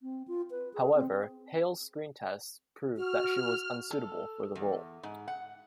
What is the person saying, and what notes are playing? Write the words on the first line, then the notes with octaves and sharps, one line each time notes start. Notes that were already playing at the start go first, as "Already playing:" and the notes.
However, Hale's screen tests proved that she was unsuitable for the role.
C4
F4
B4
G#4
C4
F#4 F6
A4
E2
G#2
F#5